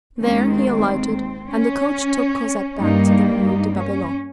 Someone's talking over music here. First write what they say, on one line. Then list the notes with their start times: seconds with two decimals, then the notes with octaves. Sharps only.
There he alighted, and the coach took Cosette back to the Rue de Babylone.
0.21 D#2 D#3 G#3 C#4
0.53 C4
1.50 C#4
2.79 G2 G3 A#3 D#4
3.44 D#4
3.76 C#4